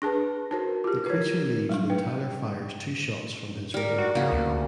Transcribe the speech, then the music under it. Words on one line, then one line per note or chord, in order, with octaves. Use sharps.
The creature leaves when Tyler fires two shots from his revolver.
D4 G#4 B4 A5 A#6
D#4 F#4 A#4 C5 A5
F4 G4
A#4 B4 C#5 G#6
F#3 G3 D4
B4 G5
G3 A#4
F#4
C#3 A#3 F#4
D2